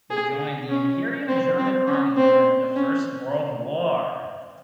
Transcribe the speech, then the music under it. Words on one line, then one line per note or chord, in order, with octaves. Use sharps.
He joined the Imperial German Army during the First World War.
G#4
C#4
C4
C4
C#4
C4
C#4